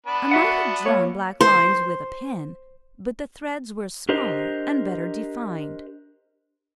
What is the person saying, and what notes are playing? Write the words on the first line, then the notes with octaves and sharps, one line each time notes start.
I might have drawn black Lines with a Pen, but the Threds were smaller and better defined.
B3 D4 B4
F#4 E5 F#5
A#3 C#5
C5
D4 G4 A#4 C5 D#5